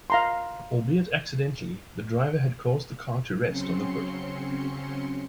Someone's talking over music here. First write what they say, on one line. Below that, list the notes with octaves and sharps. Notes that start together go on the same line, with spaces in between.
Albeit accidentally, the driver had caused the car to rest on the foot.
F5 A#5 C6
C#3 F#3 C4 C#4 C6 C#7